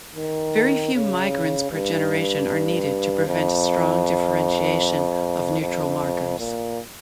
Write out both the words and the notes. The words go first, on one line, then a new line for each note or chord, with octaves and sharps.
Very few migrants per generation are needed to prevent strong differentiation of neutral markers.
D#3
C#3
G2
F2
F2
A#2